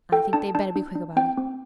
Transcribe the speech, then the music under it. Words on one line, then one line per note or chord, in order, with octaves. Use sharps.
I think they'd better be quick about it.'
A4 G5
D4 A5
D4 A5
D4
D4
C4 G5
C4